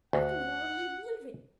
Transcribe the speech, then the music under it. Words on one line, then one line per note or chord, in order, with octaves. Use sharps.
I can hardly believe it!
D2 F#5